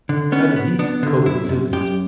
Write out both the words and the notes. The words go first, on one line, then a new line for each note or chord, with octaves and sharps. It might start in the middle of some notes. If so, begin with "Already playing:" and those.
how did he cope with his
D3
B3 C#4
B3
B3 D4
D3
F#2 E4
F#2
F#2 G4